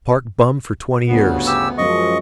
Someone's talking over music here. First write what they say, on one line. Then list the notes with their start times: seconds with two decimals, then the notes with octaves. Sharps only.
Park bum for twenty years.
1.08 G1 D2 C#3 B3
1.47 G4 E6
1.78 F#2 F3 G#3 D#5 C#6